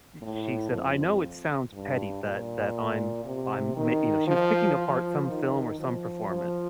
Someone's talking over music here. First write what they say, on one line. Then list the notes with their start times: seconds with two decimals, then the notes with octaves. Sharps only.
y she said, "I know it sounds petty that that I'm I'm ma" you know, she was picking apart some film or some performance.
0.22 A2
0.71 F2
1.74 G2
2.24 A#2
3.25 C3
3.76 D#3
4.27 F3
4.77 F3
5.28 D#3
5.79 F3
6.29 F3